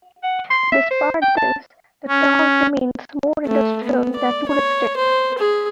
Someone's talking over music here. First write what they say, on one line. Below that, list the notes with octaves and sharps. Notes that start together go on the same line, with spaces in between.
Despite this, the town remains more industrial than touristic.
F#5
C6
E5
C5
G5
A5
C#4
A3
B3
D5
C#5
C5
G#4